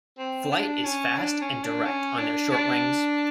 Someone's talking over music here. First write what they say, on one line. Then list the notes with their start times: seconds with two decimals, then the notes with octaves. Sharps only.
Flight is fast and direct on their short wings.
0.19 C4
0.51 D4
0.84 C#4
1.18 D4
1.41 C#4
1.63 D4
1.85 C#4
2.18 D4
2.51 D4